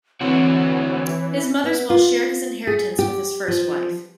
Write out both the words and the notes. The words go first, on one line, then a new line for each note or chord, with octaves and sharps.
His mother's will shared his inheritance with his first wife.
D3 E3 C4 F#4 C#5
B3
F4
G#4
G4
F3